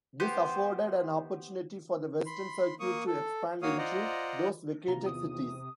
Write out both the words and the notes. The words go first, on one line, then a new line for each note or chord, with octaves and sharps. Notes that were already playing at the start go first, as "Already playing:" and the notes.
This afforded an opportunity for the Western circuit to expand into those vacated cities.
B3 G4 C5
B5 C6
A#3 C#6 D#6
A4
A#3 F#4 C#5 F5 D#6
F4 C5 D5 D#5 F#5 A#5
A#1 C3 F4 A#5
E2 D#6